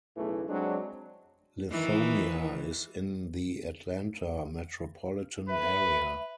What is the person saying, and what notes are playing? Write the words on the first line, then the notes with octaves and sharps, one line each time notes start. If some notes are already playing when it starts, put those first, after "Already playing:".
Lithonia is in the Atlanta metropolitan area.
B1 E2 C#3 E3 A3
F#3 G#3 C4 D4
D#3 E3
B4 E5